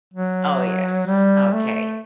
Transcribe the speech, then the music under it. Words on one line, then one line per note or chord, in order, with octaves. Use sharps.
Oh, yes. Okay.
F#3
G3
A3